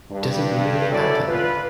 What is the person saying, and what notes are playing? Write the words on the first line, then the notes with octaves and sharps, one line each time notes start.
Does It Really Happen?
G2
F#2 C#4 E4 A4 D5
F4 B4